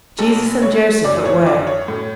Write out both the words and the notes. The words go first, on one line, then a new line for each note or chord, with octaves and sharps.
Jesus and Joseph at work!
B1 A4
A3 C#5
F#2 D5
C#5
F#2 D5
C#5
A2